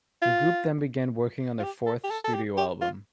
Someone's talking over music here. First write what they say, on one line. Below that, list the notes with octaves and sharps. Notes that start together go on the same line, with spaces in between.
The group then began working on their fourth studio album.
F4
F4
G4
A4
G4
A4
A4
G4
G4
F4